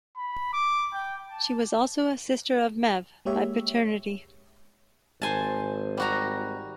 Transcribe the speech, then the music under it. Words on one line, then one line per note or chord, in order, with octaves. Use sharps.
She was also a sister of Medb by paternity.
B5
D6
G5
A5
G#3 A#3 G4 C#5 E5
G#1 C5 G#5 A5
G3 F#4 A#5